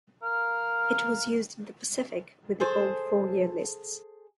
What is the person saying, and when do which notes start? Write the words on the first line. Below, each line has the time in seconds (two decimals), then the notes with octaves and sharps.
It was used in the Pacific with the old four-year lists.
0.23 A#4 F5 F6
2.60 G#4 A4 C5